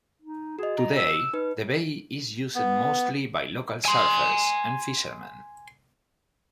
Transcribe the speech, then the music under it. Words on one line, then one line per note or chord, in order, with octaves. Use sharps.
Today, the bay is used mostly by local surfers and fisherman.
D#4
F#4 G#4 D#5
A#5
E6
D#4 B4
B3
G#5 C6